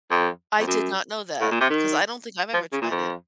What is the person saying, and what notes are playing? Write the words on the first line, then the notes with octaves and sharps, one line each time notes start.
I did not know that, 'cause I don't think I've ever tried it.
F2
F2
F#2
A2
A#2
C3
D#3
F3
C#3
A#2
F2